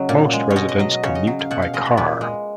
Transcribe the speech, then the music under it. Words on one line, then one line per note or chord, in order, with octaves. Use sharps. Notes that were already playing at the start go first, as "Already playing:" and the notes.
Most residents commute by car.
Already playing: C#3 F#3 D#5
A#2
G#3
C#5
B2 D#5
D#5
F#3 D#5
D#5
C#3 C#5
D#5
F#3
F5
B2 F#5
F5
G#3 D#5
B4
A#2 B4
G#3